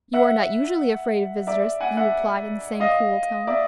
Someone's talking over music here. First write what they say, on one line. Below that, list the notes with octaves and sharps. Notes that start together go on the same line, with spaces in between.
"You are not usually afraid of visitors," he replied in the same cool tone.
E5 F#5
D5 E5
F#5 G#5
E5 F#5
D#5 F5
D5 E5